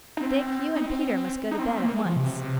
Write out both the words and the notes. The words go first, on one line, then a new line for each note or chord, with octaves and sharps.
Dick, you and Peter must go to bed at once.'
D#4
C4
D#4
C4
D#4
C4
A#3
C4
A#3
G#3
F3
C3